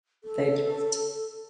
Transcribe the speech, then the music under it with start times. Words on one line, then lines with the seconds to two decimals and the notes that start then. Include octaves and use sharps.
they just
0.24 A4